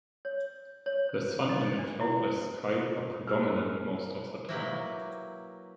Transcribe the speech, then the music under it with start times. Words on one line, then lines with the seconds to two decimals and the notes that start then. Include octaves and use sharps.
The sun and a cloudless sky are predominant most of the time.
0.25 C#5
0.86 C#5
1.09 C5
1.49 D#5
1.79 D4
2.01 E4
3.27 G#3 G4 E6 F6
4.49 F#3 A#3 E4 G4 B4